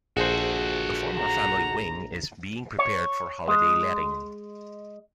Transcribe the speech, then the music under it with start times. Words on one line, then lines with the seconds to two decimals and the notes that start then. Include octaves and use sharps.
The former family wing is being prepared for holiday letting.
0.17 A#1 F#4 G#4 A4 C5
1.18 A#5
2.79 C#5
3.48 G#3